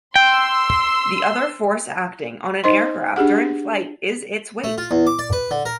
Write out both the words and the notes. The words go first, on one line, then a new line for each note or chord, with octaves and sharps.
The other force acting on an aircraft during flight is its weight.
G5 C6 E6
D#4 C5 D#5 C6
D4 G4 G#4 F#5
A3
F4
E2
D6
D5
B4
D3
A#4